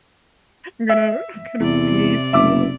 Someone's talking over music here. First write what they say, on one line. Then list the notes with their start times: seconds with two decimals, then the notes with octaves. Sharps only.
I'm gonna I'm gonna be sorry
0.89 E5
1.60 E2 C3 D5
2.33 F#1 E5 D6